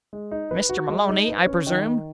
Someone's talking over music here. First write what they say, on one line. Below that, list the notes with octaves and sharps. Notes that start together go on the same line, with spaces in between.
"Mr. Maloney, I presume?"
G#3
D#4
B4
F#4
G#3
D#4
B4
C#4
D#3
D#3